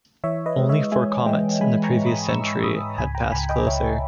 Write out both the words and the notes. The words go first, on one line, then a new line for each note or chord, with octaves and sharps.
Only four comets in the previous century had passed closer.
E3 C#5 E5
B4 D#5
G#3
C#5 E5
G#3 E5 G#5
G#3 D#5 G5
G#3 G#5 B5
A#5 C#6
G#2
B5 D#6
G#2 C#6 E6
C#6 E6
G#2 B5 D#6
C#2 G#5 B5
G5 A#5
C#2 G#5 B5
D#5 G5
C#2 C#5 E5